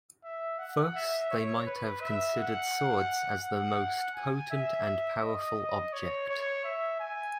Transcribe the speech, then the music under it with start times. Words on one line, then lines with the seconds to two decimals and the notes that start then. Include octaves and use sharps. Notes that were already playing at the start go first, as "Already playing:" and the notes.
Thus they might have considered swords as the most potent and powerful object.
0.24 E5
0.59 F#5
0.95 E5
1.31 C#5
1.66 B4
2.01 E5
2.38 F#5
3.43 F#5
4.15 G#5
4.51 E5
5.22 D#5
5.58 D#5
5.93 C#5
6.29 C#5
6.64 E5
7.00 G#5